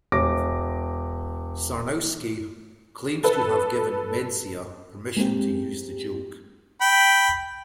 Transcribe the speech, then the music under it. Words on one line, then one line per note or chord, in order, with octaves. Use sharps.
Sarnowski claims to have given Mencia permission to use the joke.
E1 D6 A#6
A4 B4
G#3 A#3 C4 G4
G5 B5